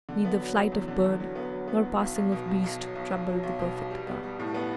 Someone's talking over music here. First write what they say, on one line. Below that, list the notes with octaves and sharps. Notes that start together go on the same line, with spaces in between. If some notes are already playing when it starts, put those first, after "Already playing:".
Neither flight of bird nor passing of beast troubled the perfect calm.
D3
B3
F#3
F#3
E2
D3
E2
F#3
B3
F#3
B3
F#3
B1
B1
B2
B1
B1
F#3
B1
B1
F#3
B1
B2
B1
G3
B3
G3
A2
B3